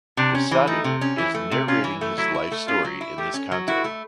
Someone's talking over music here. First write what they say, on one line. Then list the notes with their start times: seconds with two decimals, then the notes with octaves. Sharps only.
The sadhu is narrating his life story in this canto.
0.17 C3 D4
0.35 C#4
0.51 E3
0.67 A3 D#4
0.84 C3
1.01 C#4
1.18 E3 E4
1.34 A3
1.51 C3
1.68 C#4 F4
1.84 E3
2.01 A3
2.18 F#3 E4
2.34 E4
2.51 A3
2.68 C#4 F4
2.84 F#3
3.01 E4
3.18 A3 G4
3.34 C#4
3.51 F#3
3.68 E4 F#4
3.84 A3